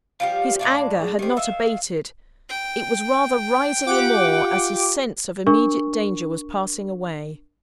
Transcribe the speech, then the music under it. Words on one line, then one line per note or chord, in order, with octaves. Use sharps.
His anger had not abated; it was rather rising the more as his sense of immediate danger was passing away.
F3 G3 G4 F5
A2 D4 D5 F5
G#4
D#3 C4 G4
D#3 E5 F5
G5
F4 G4 F#5 D6
D4 A#4 C#6